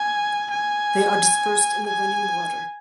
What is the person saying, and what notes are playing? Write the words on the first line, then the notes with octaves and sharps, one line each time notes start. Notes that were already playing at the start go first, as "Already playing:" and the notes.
They are dispersed in the running water.
Already playing: G#5
G#5
G#5